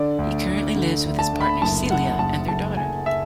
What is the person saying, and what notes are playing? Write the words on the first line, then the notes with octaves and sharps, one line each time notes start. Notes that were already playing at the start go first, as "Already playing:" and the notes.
He currently lives with his partner Celia and their daughter.
Already playing: D3 D5
D2
D2
D3
D2
A5
D2
B5
F#1 A5
F#2 F#5
F#1 A5
F#1 A5
F#1 G#5
E5